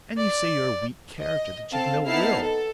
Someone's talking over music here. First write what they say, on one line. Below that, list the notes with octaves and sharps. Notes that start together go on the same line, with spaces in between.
"And you say you're a weak character, that you've no will."
D5
D#5
C4 A4 F5 A5
B3 D#4 E4 A5 F6 C7
A4